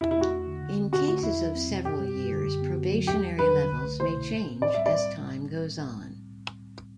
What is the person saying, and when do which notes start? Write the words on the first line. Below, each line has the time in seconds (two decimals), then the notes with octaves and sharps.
In cases of several years, probationary levels may change as time goes on.
0.01 E2 E4
0.11 E4
0.16 A3 F#4
0.31 D4
0.47 D3
0.63 D3
0.78 C4
0.93 F#4 G4
1.08 A3 F#4
1.23 E2 E4
1.39 F#3
1.55 C4
1.70 B2
1.85 F#2 G4
2.00 G3
2.16 F#2
2.31 D3
2.47 F#2
2.62 B3
2.77 F#4
2.93 F#3
3.07 E2 G4
3.23 G3
3.38 D4 B4
3.53 D3
3.69 C2
3.84 A3
4.00 E4 C5
4.15 B2
4.31 A2
4.46 C4
4.61 A2 D5
4.74 G3 E5
4.86 D5